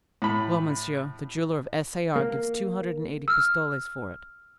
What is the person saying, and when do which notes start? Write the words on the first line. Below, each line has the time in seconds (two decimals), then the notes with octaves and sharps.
"Well, monsieur, the jeweler of S. A. R. gives two hundred and eighty pistoles for it."
0.22 A2 B5
2.16 A#3
3.28 E6 F6